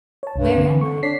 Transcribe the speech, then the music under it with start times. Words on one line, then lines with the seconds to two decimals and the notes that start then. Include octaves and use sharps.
"Where am I?"
0.23 C#5 A5
0.36 C2 G2
0.55 D3 C4
0.69 E3
0.81 D3 C#6
1.03 D4 C#5 B6 C7